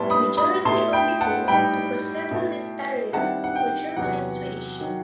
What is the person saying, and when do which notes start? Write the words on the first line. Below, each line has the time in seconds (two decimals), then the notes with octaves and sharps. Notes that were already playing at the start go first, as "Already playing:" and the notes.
The majority of people to first settle this area were German and Swedish.
Already playing: A2 G3 B3 E4 A5 C6
0.10 B5 D#6
0.37 B5 D#6
0.65 B2 A3 E4 A5 C6
0.93 G5 B5
1.21 F#5 A5
1.48 A2 G3 D#4 G5 B5
2.31 B2 A3 E4
3.13 D#3 G3 C4 E4 F#5 A5
3.44 F#5
3.56 G5
3.96 E2 C3 F#3 B3 F#5
4.80 D#3 F#3